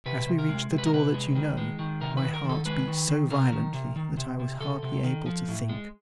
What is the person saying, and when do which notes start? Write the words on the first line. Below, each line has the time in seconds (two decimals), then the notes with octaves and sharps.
As we reached the door that you know, my heart beat so violently that I was hardly able to think.
0.06 C3 B4
0.27 C3
0.39 A#4
0.49 G#3
0.70 C3
0.78 B4
0.86 A#4
0.93 C3 B4
1.14 G#3
1.35 D#3
1.57 G#3
1.79 D#3
2.01 C3 A#4
2.17 B4
2.22 D#3
2.34 A#4
2.44 D#3 A4
2.66 G#3 B4
2.88 D#3
3.09 D#3
3.30 C3 A#4
3.52 D#3
3.74 C3
3.96 D#3
4.17 C3
4.40 C3
4.60 C3 A4
4.83 C3
5.04 D#3
5.26 F3
5.48 A2
5.69 G#3